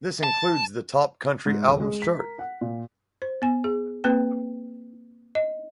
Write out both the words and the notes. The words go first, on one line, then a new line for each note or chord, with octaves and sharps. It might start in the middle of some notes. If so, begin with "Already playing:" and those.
This includes the Top Country Albums chart.
A5
G#2
D#1
G#3
B6
A#4
F#5
A#2
C5
B3 G#5
G#4
A#3 C4 B4 G5
D#5